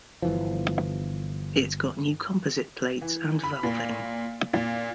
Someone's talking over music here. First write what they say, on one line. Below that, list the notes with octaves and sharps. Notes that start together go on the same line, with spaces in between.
It got new composite plates and valving.
G1 E3 F3
E3
B5
A#2
A#2